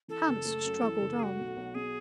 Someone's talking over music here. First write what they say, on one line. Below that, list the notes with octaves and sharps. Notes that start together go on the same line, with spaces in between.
Hans struggled on.
E3 A4
F#1
A3
F#2
E3
F#1
A3 F#4 G#4
B1
B1
B2 G#4